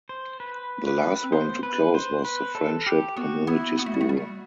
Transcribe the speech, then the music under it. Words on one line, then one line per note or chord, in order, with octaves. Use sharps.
The last one to close was the Friendship Community School.
C5
B4
B4
C4
B3 C5
B4
C5
B4
A4
G4
B3 F#4
B3 E4
B3 F#4
A3
G3
A3
G3